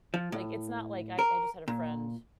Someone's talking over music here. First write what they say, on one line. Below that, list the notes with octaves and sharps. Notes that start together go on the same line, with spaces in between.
Like, it's not, like I I just had a friend,
F3
A2
A#4
A#2